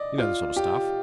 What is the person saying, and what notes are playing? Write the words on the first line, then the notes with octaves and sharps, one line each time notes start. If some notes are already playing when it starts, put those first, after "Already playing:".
You know the sort of stuff.
Already playing: D5 D#5
F4
G4